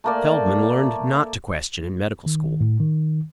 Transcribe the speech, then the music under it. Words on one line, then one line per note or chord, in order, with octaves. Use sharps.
Feldman learned not to question in medical school.
A3 A#3 D5
D#3
A2
D#3